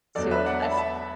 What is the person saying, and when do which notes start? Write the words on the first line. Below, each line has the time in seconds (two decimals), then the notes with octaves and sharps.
soon, I s
0.15 E1 E2 D3 F#3 A3 A4 D5
0.31 B4 E5
0.46 D5 F#5
0.62 E5 A5
0.71 B5
0.77 E5 A5